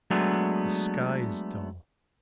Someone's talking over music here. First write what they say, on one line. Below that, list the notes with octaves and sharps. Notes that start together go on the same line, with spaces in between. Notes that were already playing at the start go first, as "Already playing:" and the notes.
The sky is dull.
F#3 G#3 A3 B3 D4